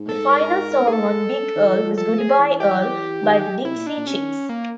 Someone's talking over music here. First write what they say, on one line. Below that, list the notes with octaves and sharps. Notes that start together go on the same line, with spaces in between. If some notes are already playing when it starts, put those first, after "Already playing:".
The final song on "Big Earl" was "Goodbye Earl" by the Dixie Chicks.
Already playing: G#2
A4
A#4
A#4
G#4
A4
D#3
E3
F3
F3
F3 A4
G#4
E3
G4
D#3
C3 E4
A#2
D4
A#2
C3 C#4
D3
D#3
A#3